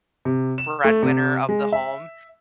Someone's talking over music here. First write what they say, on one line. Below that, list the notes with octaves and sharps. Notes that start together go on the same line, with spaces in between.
breadwinner of the home,
C3
E7
A3
C3
G#3
E5